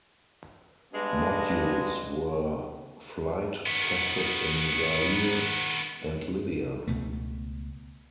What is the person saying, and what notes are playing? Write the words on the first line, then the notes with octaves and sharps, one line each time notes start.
Modules were flight tested in Zaire and Libya.
G2 G#3 B3
D#3 B3
C#2 B2 A3